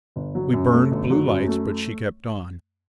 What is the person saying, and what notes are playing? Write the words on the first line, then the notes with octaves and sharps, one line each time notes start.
We burned blue lights, but she kept on.
G1
F#3
F#2
A3
G1
F#3
F#2
A3